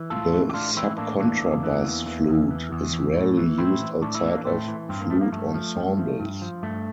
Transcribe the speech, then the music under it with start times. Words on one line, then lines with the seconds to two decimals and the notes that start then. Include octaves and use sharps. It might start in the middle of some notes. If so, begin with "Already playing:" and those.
The subcontrabass flute is rarely used outside of flute ensembles.
Already playing: E3
0.10 A2 F4 A4
0.33 E3
0.50 G4
0.54 A2 D4 F4
0.76 E3 C4 E4
0.97 A2 A#3 D4
1.19 E3 A#3 D4
1.42 E2
1.63 E3
1.85 E2
2.06 E3
2.28 E2
2.51 E3
2.72 E2
2.94 E3
3.16 A2
3.37 E3
3.58 A2 C4 E4
3.80 E3
4.02 A2 D4
4.15 E4
4.24 E3 A#3 D4
4.37 D4
4.45 A2 A3 C4
4.68 E3
4.89 G2 C4
5.00 A#3
5.10 F3 A3
5.21 A#3
5.32 G2 A3
5.54 F3
5.76 G2
5.98 F3
6.20 G2
6.42 F3
6.63 G2 A3